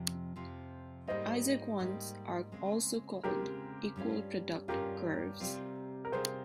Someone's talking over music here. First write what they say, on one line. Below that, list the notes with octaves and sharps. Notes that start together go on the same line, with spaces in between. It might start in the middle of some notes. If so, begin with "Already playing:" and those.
Isoquants are also called equal product curves.
Already playing: F2 C3 F3 C4
F2 C3 F3 C4
G#2 G3 A#3 D#4 C5 D#5
G#2 G3 A#3 D#4
C#3 G#3 C4
C#3 G#3 C4 G4 A#4
G2 G3 C#4 F4
G2 G3 C#4 F4 G4 A#4
C3 G3 C4 F4
A#4
C3 G3 C4 F4 G#4 C5